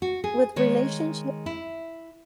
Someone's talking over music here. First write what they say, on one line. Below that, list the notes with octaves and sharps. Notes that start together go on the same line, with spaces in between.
With relationship
F#4
G#4
D#3 G#3 C#5
E4